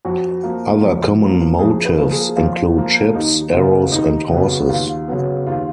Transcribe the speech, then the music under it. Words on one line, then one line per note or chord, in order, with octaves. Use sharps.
Other common motifs include ships, arrows and horses.
F2 F#4
F3 A#3
F2
F3 A#3
F2 G#4
B4
F3 A#3
G#4
F2 F4
F3 A#3
D#2 D#4
C#3 F#3 B3 F4
D#2 D#4
C#3 F#3 B3
D#2 F4
C#3 F#3 B3
D#2 F4